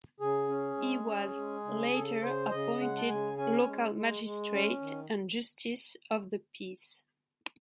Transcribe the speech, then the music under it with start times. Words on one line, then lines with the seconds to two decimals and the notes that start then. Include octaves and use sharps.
He was later appointed local magistrate and Justice of the Peace.
0.20 C#3 G#4
0.48 C#4
0.77 G#3
1.06 C#4
1.36 G#3
1.65 C#3
1.93 C#3 A4
2.22 C#3 C5
2.51 C#3 D#5
2.79 G#3 F#5
2.98 A5
3.09 C#3 G#5
3.37 C#4 G#5
3.66 G#3
3.94 G#3
4.23 G#3
4.52 C#4
4.81 D#3